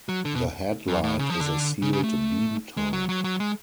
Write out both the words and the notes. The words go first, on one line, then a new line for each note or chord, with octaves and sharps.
The headlight is a sealed beam type.
F#3
D3
B2
F#2
A2
C#3
F3
D3
C#3
C#3
A3
G#3
F#3
F#3
F#3
G#3